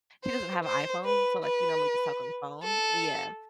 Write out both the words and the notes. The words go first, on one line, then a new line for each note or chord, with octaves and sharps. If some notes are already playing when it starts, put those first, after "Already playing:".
she doesn't have a iPhone, so, like, we normally just talk on the phone Yeah,
C5
C5
B4
B4
A4